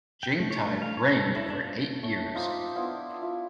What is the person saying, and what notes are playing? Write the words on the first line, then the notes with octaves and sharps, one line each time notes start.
Jingtai reigned for eight years.
G5
A3
C#5
A3
F5
C#5
A4
E4
D4
F4
A3 C#5
D#4 F4 C5 D6
B3 D4 E4 F4
E4 F4 E5